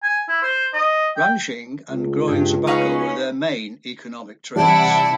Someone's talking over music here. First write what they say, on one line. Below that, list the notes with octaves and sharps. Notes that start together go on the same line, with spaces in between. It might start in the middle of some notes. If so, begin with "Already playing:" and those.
Ranching and growing tobacco were their main economic trades.
G#5
E4
C5
D#5
G5
C#2
G2
C#4 D#4 B4 F5
C3 E3 G3 E4 D5 F#5 A5 B5